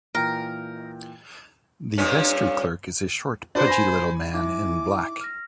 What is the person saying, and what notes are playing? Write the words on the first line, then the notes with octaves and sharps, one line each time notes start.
The vestry-clerk is a short, pudgy little man, in black.
A#2 E3 A#4 G5
G2 A#2 C#4
D4 F#4 B4 C5
G#5 B5 A#6
D#4 E4 E5 D6
F6 A#6